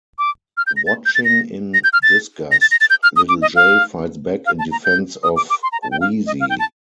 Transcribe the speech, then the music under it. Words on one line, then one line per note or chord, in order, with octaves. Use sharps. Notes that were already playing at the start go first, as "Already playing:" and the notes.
Watching in disgust, Little J fights back in defense of Weezie.
D6
F6
G6
A#6
A6
G6
A6
A#6
A#6
G6
F6
A6
A#6
A6
A#6
A6
G6
F6
D#6
D6
D#5
F5
F5
A5
A#5
G6
D#6
D6
D6
C6
A#5
A5
G5
F5
D#5
F5
G5
A5